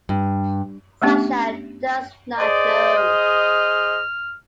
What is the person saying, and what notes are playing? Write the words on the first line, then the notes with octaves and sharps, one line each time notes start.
Sasha does not know.
G2
A3 B3 C#4 D4 G4
G#4 C5 D5 D#5
F6